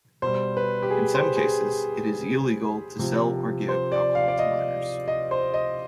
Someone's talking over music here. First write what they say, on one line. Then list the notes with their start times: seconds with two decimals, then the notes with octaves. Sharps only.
In some cases, it is illegal to sell or give alcohol to minors.
0.22 B2 G3 C5
0.57 B4
0.83 G4
0.91 G#4
1.14 C5
1.37 G#4
2.99 C3 F3
3.68 C5
3.92 D5
4.15 F5
4.28 D5
4.39 D#5
5.08 D#5
5.31 C5
5.54 D#5